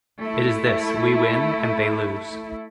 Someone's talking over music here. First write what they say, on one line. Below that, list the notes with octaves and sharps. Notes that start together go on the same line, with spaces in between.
It is this: We win and they lose.
A3 E4